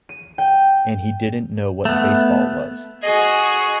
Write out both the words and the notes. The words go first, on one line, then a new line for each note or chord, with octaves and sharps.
And he didn't know what baseball was.
D#7
G5
A3 B3
F#4 G#4 D#5